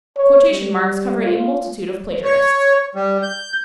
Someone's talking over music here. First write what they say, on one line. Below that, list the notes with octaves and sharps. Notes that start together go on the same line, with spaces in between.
Quotation marks cover a multitude of plagiarists.
C#5
G3
F4
C#5
G3
G6